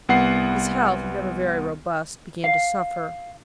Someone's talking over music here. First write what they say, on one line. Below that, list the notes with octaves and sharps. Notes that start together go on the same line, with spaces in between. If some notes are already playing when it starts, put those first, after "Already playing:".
His health, never very robust, began to suffer.
C2 B3 F#5 C7
F5